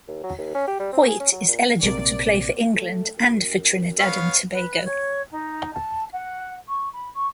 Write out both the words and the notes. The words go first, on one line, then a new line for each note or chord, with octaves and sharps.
Hoyte is eligible to play for England and for Trinidad and Tobago.
D#2
F#3
D#2
C#4
G4
G3
C4
G#4
C#4
F#3
A#2
A#1 C3 A#3 C4 D5
A3
F#2
B3 C#5 F5
B4
C#5
D#4
A5
F#5
C#6
B5
C#6